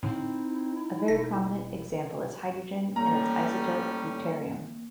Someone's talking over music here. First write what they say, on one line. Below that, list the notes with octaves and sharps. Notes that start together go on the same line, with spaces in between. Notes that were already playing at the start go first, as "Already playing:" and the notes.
A very prominent example is hydrogen and its isotope deuterium.
A2 D3 C4 D#4 E4
E1 A#6
A2 G3 A#3 C#4 A#5